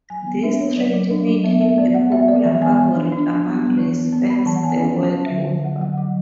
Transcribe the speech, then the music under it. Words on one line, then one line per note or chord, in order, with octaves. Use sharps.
This trait made him a popular favorite among race fans the world over.
F#3 G#5
B3
D4 E5
B3 C#5
F#3 D5
F#3
D4
F#3
B3 E5
B3 E5
B3 D5
B3 F#5
B3 E5
B3 D5
E3 E5
B3 G#5
E3
D4
D4
D4
B3
B3
E3
B3
B3
B3 B5
E3 A5
F#5
B3 G#5
C#4
C#4
A5
F#3
E5
D3
D3
F#3 F#5
D3 F#5
F#3 F#5